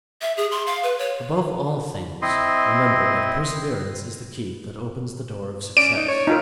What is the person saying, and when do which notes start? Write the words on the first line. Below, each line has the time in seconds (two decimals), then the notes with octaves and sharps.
Above all things, remember that perseverance is the key that opens the door of success.
0.21 E5
0.37 G#4
0.51 C6
0.67 F5
0.83 B4
0.99 C#5
2.22 C4 E4 D#5 C6
5.77 C#4 D5 D7
5.97 D#4
6.08 C#5
6.27 D#4 F4 A#4